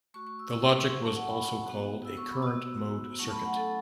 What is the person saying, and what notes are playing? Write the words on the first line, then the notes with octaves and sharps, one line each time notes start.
The logic was also called a current mode circuit.
A3 F#4 C#6
C#6
E6
E6
C#6
E6
F#3 C#4 F#4 C#6
A5
F#5
B5
B3 F#4
E6
C#6
B5
B3 F#4 E6
F#3 A3 C#4 E4 C#6
A5
B5
F#5
A4